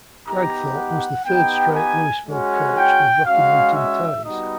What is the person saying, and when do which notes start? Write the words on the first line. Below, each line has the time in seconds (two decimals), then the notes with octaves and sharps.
Kragthorpe was the third straight Louisville coach with Rocky Mountain ties.
0.27 B3 D#4 G4 A#5
0.77 F#5
1.26 B3 D#4 G4 G5
1.76 G#5
2.26 G#3 C#4 F#4
2.76 G5
3.25 G#3 C#4 F#4 F5
3.76 E5
4.25 G3 B3 D#4 F#4 D#5